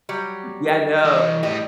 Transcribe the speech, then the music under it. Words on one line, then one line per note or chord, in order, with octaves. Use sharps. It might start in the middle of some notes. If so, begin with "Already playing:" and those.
Yeah, no.
F#3 G3
E3 D#5
A2 G3 D#5